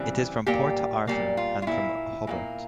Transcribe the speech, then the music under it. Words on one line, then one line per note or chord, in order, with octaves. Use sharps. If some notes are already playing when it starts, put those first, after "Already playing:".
It is from Port Arthur, and from Hobart.
Already playing: C#3 E3 G3 C4
A#2 G3 A#3 G4
A#2 G3 A#3
F4
F4
A#2 G3 A#3 E4
A#2 G3 A#3